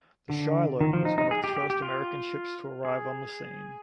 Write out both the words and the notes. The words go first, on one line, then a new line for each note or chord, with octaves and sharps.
The "Shiloh" was one of the first American ships to arrive on scene.
D3
D#3
F3
D#4
D#4
G#4
G4
G4
G4
F4
G#4